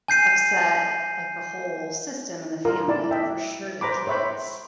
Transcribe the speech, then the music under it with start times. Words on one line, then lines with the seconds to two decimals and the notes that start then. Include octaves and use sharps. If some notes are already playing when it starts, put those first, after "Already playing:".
upset, like, the whole system and the family, and for sure the kids.
0.08 G#5 G6 C7 D#7
2.65 F4 A#4
2.88 E4 D5 A5
3.11 D#5 E5 G5
3.81 C5 A#5 B5 D6
4.07 C5 C#5 E5 B5 C#6